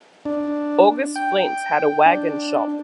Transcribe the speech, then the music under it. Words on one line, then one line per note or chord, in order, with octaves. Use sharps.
August Flint had a wagon shop.
D4
G5
D4